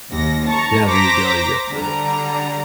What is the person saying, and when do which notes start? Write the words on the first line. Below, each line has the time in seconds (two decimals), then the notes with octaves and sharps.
Yeah, there you go. You got the,
0.11 D#2 A#6
0.47 A5 A#5 C#6
0.87 C5 A#5 D6 A#6 B6
1.70 D3 G3 A#5